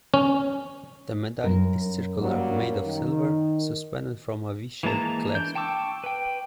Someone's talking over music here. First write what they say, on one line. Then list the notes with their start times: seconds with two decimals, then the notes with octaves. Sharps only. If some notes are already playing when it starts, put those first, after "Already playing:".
The medal is circular, made of silver, suspended from a V-shaped clasp.
0.14 C#4
1.44 F#2 A#4
2.21 F#3 G3 A#3
2.86 D#3
4.83 E3 G#3 A#3 A5 A#5
5.35 D4 G6
5.55 G5 A5 C#6 D6 E6
6.04 B4 G5